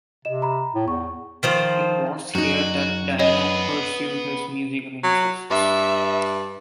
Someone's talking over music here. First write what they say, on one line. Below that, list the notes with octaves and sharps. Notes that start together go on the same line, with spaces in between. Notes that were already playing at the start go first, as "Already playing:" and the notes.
It was here that Dino pursued his musical interests.
C3 D#5 E7
A#5 B5
A2
E2 C#6
D#3 F3 C5
F#2 D#4 F#4
B3 G#4 C#5 D#5
F#3
G2 E5